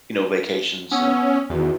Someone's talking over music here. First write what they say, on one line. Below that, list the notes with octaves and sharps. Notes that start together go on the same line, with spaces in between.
you know, vacations, and
B3 C#4 F#5 D#6 E6
E2 D#3 D#4 F#4